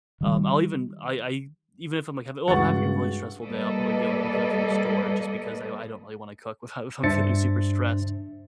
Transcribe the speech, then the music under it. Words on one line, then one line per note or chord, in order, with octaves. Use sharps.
um, I'll even, I I e even if I'm, like, having well, if I'm having a really stressful day, I'll probably go and pick it up from a store just because I I don't really wanna cook with how if I'm feeling super stressed,
D#3 G3
G2 C#3 E3 G#3 F#4 F#5 C#6 A6
G3 A#3 A4 B4 D5 D#5
G2 D4 C5 E5 A6 C#7